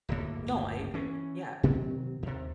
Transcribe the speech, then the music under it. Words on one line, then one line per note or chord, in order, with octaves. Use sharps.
No, I agree, yeah.
D1 G1 A2 A#3
E3 C#4
B2 D#3 F#3 C4
D#2 C3